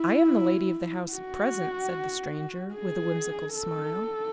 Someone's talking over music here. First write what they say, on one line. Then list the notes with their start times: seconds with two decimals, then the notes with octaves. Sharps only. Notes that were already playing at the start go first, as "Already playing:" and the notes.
"I am the lady of the house at present," said the stranger, with a whimsical smile.
Already playing: E4
1.12 F#4
2.74 G#4
3.55 A4